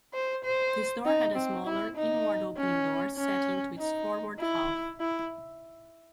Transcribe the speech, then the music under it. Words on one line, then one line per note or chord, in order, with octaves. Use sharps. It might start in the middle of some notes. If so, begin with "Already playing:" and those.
This door had a smaller, inward-opening door set into its forward half.
C5
C5
D#4
C4
E4
D#4
C#4
C#4
D#4
E4
E4